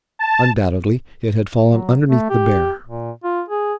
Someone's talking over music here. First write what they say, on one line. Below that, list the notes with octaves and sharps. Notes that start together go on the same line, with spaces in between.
Undoubtedly it had fallen underneath the bear.
A5
F#3
A3
G4
A#2
F4
G#4